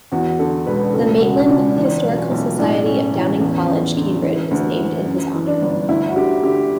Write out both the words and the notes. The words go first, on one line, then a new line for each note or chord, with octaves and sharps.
The Maitland Historical Society of Downing College, Cambridge, is named in his honour.
E2 F#4
D3 A4
E1 B4
C#2 A4
C#3 F#4
C#4
C#2 D4
E3 D4
B1
C#4
B1
A2 D4
A2 C#4
E3 C#4
E2
E2
D3
E3
D2
E3
F#2
E3
D4
G1
D2 E4
F#4
D3 G4
D3 G4